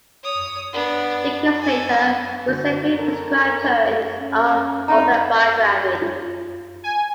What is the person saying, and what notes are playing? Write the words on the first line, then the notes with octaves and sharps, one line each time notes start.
Decades later, Giuseppe described her in his own autobiography.
C#5 D#6
B3 D4
A4 G#5
D3 F#4
A4 A#4
C#4
C4 D#4 D5 A#5 B5
F4
G#5